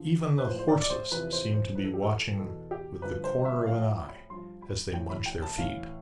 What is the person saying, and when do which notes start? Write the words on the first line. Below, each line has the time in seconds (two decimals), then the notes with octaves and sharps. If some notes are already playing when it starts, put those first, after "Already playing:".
Even the horses seem to be watching with the corner of an eye as they munch their feed.
Already playing: E2 D3 F3
0.38 B4
0.47 A2 F3 C5
0.59 C5
0.68 D5
0.82 D5
0.90 C5
1.11 E2 C3 F3 B4
1.32 C5
1.54 C5
1.75 F2 E3 B4
1.84 A4
1.94 G4
2.02 A4
2.39 E2 B2 A4
2.71 G4
3.02 G2 D3 F3 B4
3.24 C5
3.45 E5
3.66 A2 F3 F5
4.08 B5
4.30 G2 F3 C6
4.62 B5
4.94 A2 E3 G5
5.10 B5
5.26 G5
5.42 A5
5.58 A2 E3 F5